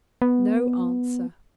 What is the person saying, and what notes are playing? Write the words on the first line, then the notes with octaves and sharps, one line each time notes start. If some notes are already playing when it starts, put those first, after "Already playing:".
No answer.
B3